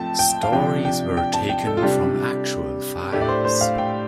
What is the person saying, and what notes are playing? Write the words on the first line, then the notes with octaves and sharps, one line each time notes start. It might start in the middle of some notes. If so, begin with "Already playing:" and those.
Stories were taken from actual files.
Already playing: F3 A3 C4 G5 A5
G5
F5
C3 F3 D4 G5
G5
G5
A5
G5
A4
F4
C3 G3 D4 G4
A2 A3 D4 G4
D5
C5
C5
F5
G5